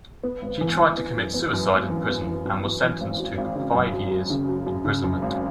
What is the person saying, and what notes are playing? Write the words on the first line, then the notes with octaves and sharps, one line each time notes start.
She tried to commit suicide in prison, and was sentenced to five years imprisonment.
B3
G#1
E3
E3
B3
F#2
B3
F#2
G#1
E3
B3
E3
F#2
B3
E3
G#1
F#3
G#1
C#3
F#2
F#3
F#3
C#3
F#3
F#2
C#3
F#2
G#1